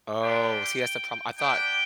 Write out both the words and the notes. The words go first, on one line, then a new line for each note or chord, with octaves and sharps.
Oh, see that's the problem, I thought
G3 D4 F4 G5
B3 D4 G4 G5